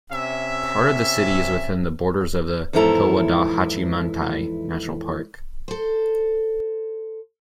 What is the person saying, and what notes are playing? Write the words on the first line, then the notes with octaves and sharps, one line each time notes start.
Part of the city is within the borders of the Towada-Hachimantai National Park.
C3 C#4 E5
E2 G#2 F3 E4 A4 A#5
A4 C5